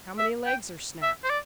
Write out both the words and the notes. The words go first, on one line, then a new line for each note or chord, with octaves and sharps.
"How many legs are snapped?"
E5
G5
E5
C5
D5